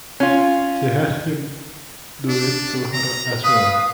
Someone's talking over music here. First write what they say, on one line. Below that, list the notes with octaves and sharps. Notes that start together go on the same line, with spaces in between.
She had him do it to her as well.
C#4 F4
D4
A#5
B4 F5 D#6